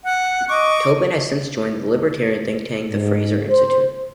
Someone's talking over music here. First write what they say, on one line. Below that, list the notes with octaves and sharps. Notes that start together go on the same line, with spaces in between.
Tobin has since joined the libertarian think-tank the Fraser Institute.
F#5
D#5 C#6 D6
G#2
C5